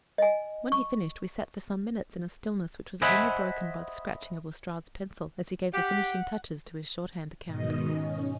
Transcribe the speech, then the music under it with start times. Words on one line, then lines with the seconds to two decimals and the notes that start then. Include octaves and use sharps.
When he finished we sat for some minutes in a stillness which was only broken by the scratching of Lestrade's pencil as he gave the finishing touches to his shorthand account.
0.18 D#5 G#5
0.72 C#6
3.02 C5 D#5 E5 F#5 G#5 B5
5.73 G4 F#5
7.45 G#2 B2 D#3 D#5
7.90 C#4